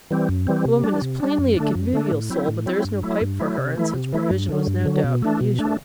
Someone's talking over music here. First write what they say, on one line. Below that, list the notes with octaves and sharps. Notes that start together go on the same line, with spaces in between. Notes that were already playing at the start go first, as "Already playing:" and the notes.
The woman is plainly a convivial soul; but there is no pipe for her, and such provision was no doubt unusual.
E3 G3 C4
F#2
E3 G3 C4
C3
G3 D4
C3
G3 D4
F#2
D3 A3 D4
F#2
D3 A3 D4
A2
F#3 C4 E4
A2
F#3 C4 E4
G2
F#3 A3 E4
G2
F#3 A3 E4
C3
E3 A3 E4
C3
E3 A3 E4
G2
D3 F#3
G2
D3 F#3
B2
A3 D4
B2
A3 D4